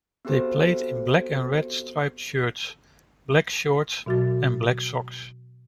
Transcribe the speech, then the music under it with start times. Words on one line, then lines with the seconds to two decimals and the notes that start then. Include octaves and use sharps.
They played in black and red striped shirts, black shorts and black socks.
0.25 B3 C4 F#4 G4 A4 C5
4.06 B2 F#3 F#4 D6 A6